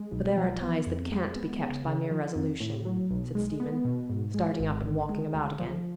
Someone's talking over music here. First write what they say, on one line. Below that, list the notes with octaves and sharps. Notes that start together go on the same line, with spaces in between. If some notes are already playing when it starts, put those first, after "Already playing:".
"But there are ties that can't be kept by mere resolution," said Stephen, starting up and walking about again.
Already playing: G#3
B1
F3
B3
F2
G#3
B3
C#3
C#3
F3
F2
A2
F#3
B1
G#3
B3
B2
G#2
G#3
G#1
D3
G#3
D2
F3